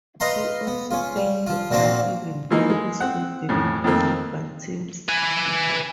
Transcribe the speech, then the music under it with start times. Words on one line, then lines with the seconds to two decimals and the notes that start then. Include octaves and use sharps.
He also played football, even though his school didn't have football teams.
0.20 B4 D#5 F5 A#5 C6
0.67 B3
0.91 C#4 F4
1.16 G3
1.47 F3 F4
1.71 A#2 F#3 A#3 C4 D4 F4
2.50 E3 G#3 A#3 D#4
2.70 G#3
3.00 C4 F#5
3.49 F2 A2 C#3
3.84 F2 D#3 A3 A#3 C4
5.09 B4 G#5